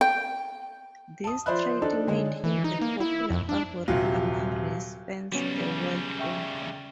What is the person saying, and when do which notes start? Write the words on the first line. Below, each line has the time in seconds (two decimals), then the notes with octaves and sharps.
This trait made him a popular favorite among race fans the world over.
0.01 G5
1.24 A5 D#6
1.46 F3 C5 D5 E5 B5 F#6
1.82 D4 D#4 A4 D5
2.07 D3 G#3 G#4 C#5
2.44 E3
2.64 D#4
2.82 A#3
3.00 E4
3.30 F2
3.49 D4
3.88 D#1 C3 F#3 F4
5.32 C#3 F#3 G3 B3 C#4
6.19 E5 G5 C#6